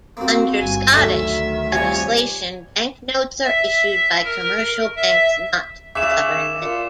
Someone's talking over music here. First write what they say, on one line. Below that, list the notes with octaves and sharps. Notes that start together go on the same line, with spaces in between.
Under Scottish legislation, banknotes are issued by commercial banks not the government.
A#3 C4 F#4
G1 G#5
D2 D3 D#3 F#3 E5
C3 F3 G3 C#5 G#5
E5
A#4
E5
C#3 E5 D6 E7
A#2